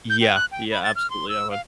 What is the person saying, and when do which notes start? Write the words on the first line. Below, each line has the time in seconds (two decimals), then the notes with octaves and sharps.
Yeah, yeah, absolutely, I would.
0.10 G6
0.21 G5
0.35 F#6
0.52 G5
0.72 B5
0.84 A6
0.96 F6
1.10 C6
1.29 E6
1.50 F5